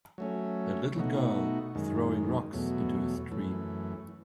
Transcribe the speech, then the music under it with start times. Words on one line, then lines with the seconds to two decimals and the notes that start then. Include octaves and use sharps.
A little girl throwing rocks into a stream.
0.18 F#3 A3 C#4
0.96 B2 A3 D#4 F#4
1.75 F#2 D#3 G#3
2.53 E2 B2 F#3 A3
3.31 F#2 E3 A3